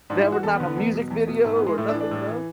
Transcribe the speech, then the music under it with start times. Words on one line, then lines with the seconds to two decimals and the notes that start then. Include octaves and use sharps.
Never not a music video or nothing, no?
0.10 G#2 D4
0.21 E4
0.26 E3
0.32 F#4
0.43 E2 A4
0.55 B3
0.60 D3
0.65 B3
0.77 E2
0.93 B2
1.10 E2
1.28 B2
1.44 G#2
1.56 B3
1.60 E3
1.67 G#3
1.78 A2 A3
1.89 D4
1.94 E3
2.00 D4
2.11 A2
2.28 E3